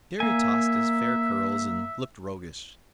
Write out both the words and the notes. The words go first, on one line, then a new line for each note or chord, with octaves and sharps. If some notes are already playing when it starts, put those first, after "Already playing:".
Jerry tossed his fair curls and looked roguish.
A#3 E5 G#5